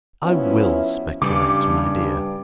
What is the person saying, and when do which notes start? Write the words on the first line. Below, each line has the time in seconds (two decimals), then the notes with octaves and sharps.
I WILL speculate, my dear.'
0.23 F3 B3 C#4 E4 F#4
1.22 G2 C#3 G3 D6